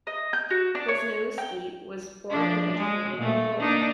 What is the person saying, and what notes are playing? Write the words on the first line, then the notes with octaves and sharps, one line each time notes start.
Wisniewski was born and educated in Poland.
D#5
G6
F#4
D4
C#5
G5
F3 D4
G#3
A#2 A3
A#3 D4 D#4